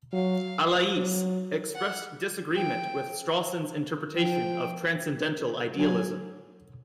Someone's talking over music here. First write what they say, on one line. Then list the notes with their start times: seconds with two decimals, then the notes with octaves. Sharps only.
Allais expressed disagreement with Strawson's interpretation of transcendental idealism.
0.12 F#3 F5
0.94 F#3
1.75 F#5
2.55 F3 G5
4.16 F3 G5
5.78 F#3 G#5